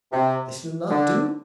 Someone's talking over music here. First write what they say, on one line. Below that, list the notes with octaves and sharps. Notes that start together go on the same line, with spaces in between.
'This will not do.
C3
D3